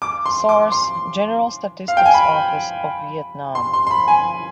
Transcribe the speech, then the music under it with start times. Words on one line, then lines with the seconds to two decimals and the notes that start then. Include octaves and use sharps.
Source: General Statistics Office of Vietnam.
0.02 D6
0.26 C6
0.49 D6
0.72 C6
1.88 F5
1.97 G5
2.06 G#5
2.14 B5
3.55 C6
3.73 C6
3.87 C6
3.91 B5
4.08 G#5